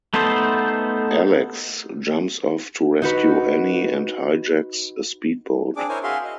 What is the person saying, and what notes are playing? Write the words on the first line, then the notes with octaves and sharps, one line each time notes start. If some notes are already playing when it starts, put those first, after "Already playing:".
Alex jumps off to rescue Annie and hijacks a speed boat.
A3 B3 D#4 A4 C5
D#4 F#4 B4
C4 D4 G#4 D6
E4 A#4 C5 C#5 G#5
F#4 G#4 E5 F5 C6
D#5